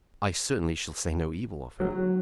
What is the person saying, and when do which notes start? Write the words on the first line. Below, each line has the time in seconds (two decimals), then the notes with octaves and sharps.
"I certainly shall say no evil of her."
1.80 F#3